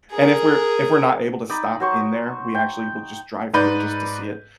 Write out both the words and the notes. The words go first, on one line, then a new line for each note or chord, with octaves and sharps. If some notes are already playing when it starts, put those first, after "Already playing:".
and if we're if we're not able to stop in there, we actually will just drive through just to see it.
G#4 A#4
D#4 D5 D#5 B5
F#3 C5 C#6
G5
G#2 D#4 B4 D5 G6